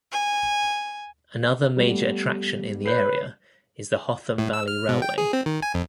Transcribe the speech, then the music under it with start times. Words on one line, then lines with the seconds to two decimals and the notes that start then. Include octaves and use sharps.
Another major attraction in the area is the Hotham Valley Railway.
0.12 G#5
1.77 G3 A3 B3
2.86 B4 C#5 G6 C7
4.38 A2
4.53 E6
4.68 F6
4.89 B2
5.02 G5
5.18 G#4
5.33 C4
5.46 D#3
5.62 G#5
5.74 F2